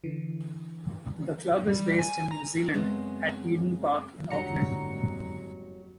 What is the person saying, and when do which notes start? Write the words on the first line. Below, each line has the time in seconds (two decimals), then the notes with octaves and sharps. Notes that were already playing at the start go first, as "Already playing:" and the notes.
The club is based in New Zealand, at Eden Park in Auckland.
0.04 D3 E3
1.67 G3
1.99 G#5
2.31 A#5
2.74 F#2 C#3 G#3 B3 C4
4.30 F#1 F2 G#2 D3 F#3 G3 A#5 C#7